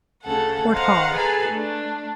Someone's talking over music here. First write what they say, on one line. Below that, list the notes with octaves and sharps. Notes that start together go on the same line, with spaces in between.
Fort Hall.
D2 C#3 A4 F#5
C5 D#5 F5 F#5 A#5
G#4 A4 B4 G#5 A#5
A3 D4